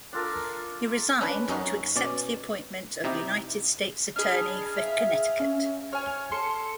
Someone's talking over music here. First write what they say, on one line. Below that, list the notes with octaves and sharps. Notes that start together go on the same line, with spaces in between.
He resigned to accept the appointment of United States attorney for Connecticut.
D4 F4 A4 A#4
C#4 D4 B4
F#2 C#4 D#4 F#4
B2 C#4 D5
C3 D#4 E4 G4
D4 G#4 D#5 B5 F6
E5 F5
C#4
C#5 G#5 F6
A4 C6 C#7